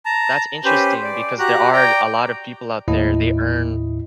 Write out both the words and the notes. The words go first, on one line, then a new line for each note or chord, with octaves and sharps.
that's interesting because there are a lotta people out there, they earn
A5 A#5
C#4 G4 B4 C5
D5
F#4 G4 A#5 F#6
D5 G5 A#5
D#2 A2 E4 D#5